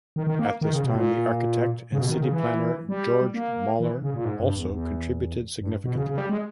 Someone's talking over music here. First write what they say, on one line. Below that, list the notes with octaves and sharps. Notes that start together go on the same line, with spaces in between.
At this time the architect and city planner Georg Moller also contributed significantly.
D#3
D#3
A#3
D#3
C#3
B2
A#2
C#3
B2
D#3
C#3
E3
G3
A#3
E3
C#3
A#2
G#2
G2
E2
E2
G2
B2
C#3
C#3
G3
G#3